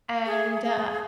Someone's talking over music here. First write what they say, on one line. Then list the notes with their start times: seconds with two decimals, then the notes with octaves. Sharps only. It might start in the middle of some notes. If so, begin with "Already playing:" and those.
and, uh
0.26 G#4
0.64 G#4